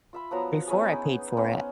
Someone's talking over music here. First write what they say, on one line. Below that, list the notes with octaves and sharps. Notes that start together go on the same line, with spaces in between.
before I paid for it.
F4 E5 B5
F3 F#3 B3 A#5
B3 C#4 E4 G#4
D#4
B3 C#4 D#4 C5